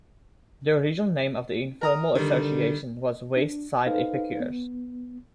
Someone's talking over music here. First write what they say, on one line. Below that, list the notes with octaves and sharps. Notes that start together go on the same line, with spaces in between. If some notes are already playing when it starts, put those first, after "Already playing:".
The original name of the informal association was West Side Epicures.
A#4 A#5 D#6
D3 D#3 G3
D4
D#4 A4 B4 C5 F5
B3